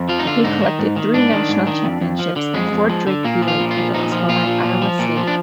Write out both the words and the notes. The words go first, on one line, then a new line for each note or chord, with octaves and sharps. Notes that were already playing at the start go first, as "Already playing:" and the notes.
He collected three national championships and four Drake Relay titles while at Iowa State.
Already playing: F2
F3 F4
D#4
D3 F4
G#2 D#4
D#3
G#2
D#3
G#2 D4
D#3
G#2
D#3
F2
F2
F3
D3
F2 G#3
F2
F3
D3
A#2 A#3
F3
F4
A#2
F4
F3
A#2 D#4
F3
A#2 F4
F3
A#2
F3
A#2
F3
D4